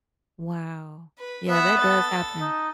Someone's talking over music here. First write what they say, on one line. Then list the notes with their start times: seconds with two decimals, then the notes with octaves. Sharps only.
Wow. Yeah, that does happen.
1.19 B4
1.50 B3 E5 F#5
1.79 A4 A6
2.40 D#4